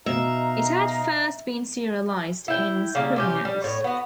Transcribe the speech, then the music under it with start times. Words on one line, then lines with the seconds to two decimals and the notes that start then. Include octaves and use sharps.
It had first been serialized in Scribner's.
0.06 B2 D#4 E5 F5 A#5
2.48 E4 G5
2.95 C#3 G3 A#3
3.16 C3 C#4 G4
3.45 G3
3.64 A2 C#5
3.84 B3 F#4